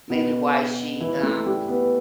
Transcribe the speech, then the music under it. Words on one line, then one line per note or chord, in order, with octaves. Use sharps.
maybe why she, um,
B2 B3
E3 E4
A3 A4
G3 G4
B3 B4